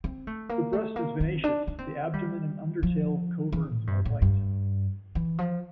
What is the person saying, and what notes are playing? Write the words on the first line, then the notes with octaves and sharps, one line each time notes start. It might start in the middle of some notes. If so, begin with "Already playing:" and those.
The breast is vinaceous, the abdomen and under tail coverts are white.
C4
A3
A#3
A3
A#3
C4
D4
D4
C4
G3
F3
E3
A2
G2
A2
G2
E3
F3